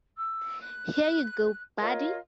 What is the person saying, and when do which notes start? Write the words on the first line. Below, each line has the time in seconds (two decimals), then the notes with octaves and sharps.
Here you go, buddy!
0.16 E6
0.61 F#6
1.79 F4 A#4 C#5 D#5